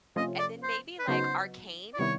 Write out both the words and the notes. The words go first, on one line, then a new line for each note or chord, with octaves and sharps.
And then maybe like Arcane?
C3 F3 A3 C#4 F4 D#5
D5
C5
B4
C#3 F#3 B3 D#4 F#4 C5
D5
C3 D#3 G3 B3 E4 C#5